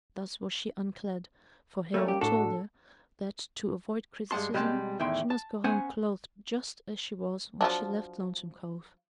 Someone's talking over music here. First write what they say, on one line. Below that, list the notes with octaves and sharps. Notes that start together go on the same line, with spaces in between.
Thus was she unclad, for Hale had told her that, to avoid criticism, she must go home clothed just as she was when she left Lonesome Cove.
G3 A3 A#3 C#4
G4
A2 D4 F#4 A4
G2 G#3 F#5 A5 C6
B2 G3 G#3 C4 G5 A5
E2 A2 D#3 E5 G5 C6
A5
B3 C#4 C5 F#5 G#5
F3 F#3 D4